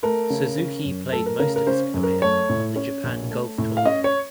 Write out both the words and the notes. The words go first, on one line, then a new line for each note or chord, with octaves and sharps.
Suzuki played most of his career on the Japan Golf Tour.
A3 A#4
C#3
C#4
F#2
A3 A4
A#4
C#3 A#4
A#4
C#4 C5
F#2
A#4
A3 C#5
A2
C#4 C#5
A#1
A3
A2
F5
C#4 D#5
C#5